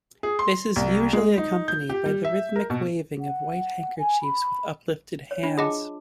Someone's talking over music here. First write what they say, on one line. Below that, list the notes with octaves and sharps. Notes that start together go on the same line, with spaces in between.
This is usually accompanied by the rhythmic waving of white handkerchiefs with uplifted hands.
G#4
C6
C2
G#3
D#4
G6
G4
G3
E5
A#4
B2
F#5
G#5
B5
C#5
D4 E4
F4 G#4 D#5 F#5 A5 D6